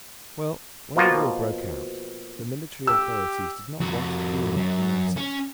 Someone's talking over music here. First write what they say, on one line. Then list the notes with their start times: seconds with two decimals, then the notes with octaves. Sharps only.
Well, when the war broke out the military authorities did not want female nurses.
0.96 B2 F3 A#3 F4 F#4
2.87 G4 E6
3.80 F2 F#4
4.57 F#2 F#3
5.17 C#4